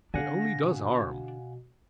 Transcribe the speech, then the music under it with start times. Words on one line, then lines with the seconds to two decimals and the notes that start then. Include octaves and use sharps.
It only does harm.
0.14 D3 D4 F5 F#5 G#5 A#6
0.64 B2